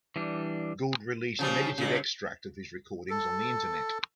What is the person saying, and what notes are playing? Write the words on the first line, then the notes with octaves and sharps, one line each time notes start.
Gould released an edited extract of his recordings on the internet.
E3 G3 D4
C#3 F3 G3
G2 C#3
A4